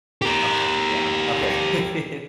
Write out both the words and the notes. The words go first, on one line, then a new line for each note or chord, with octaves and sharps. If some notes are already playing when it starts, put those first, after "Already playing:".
Okay, yeah, okay.
G4 A#4